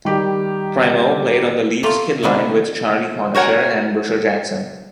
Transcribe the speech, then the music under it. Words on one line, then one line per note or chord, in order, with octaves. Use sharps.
Primeau played on the Leafs' Kid Line with Charlie Conacher and Busher Jackson.
D#3 G3 G4
A3 A#3 F4 G4
C3 D#3 B3 D4
F#4 A#4 C#5 F#5 G#5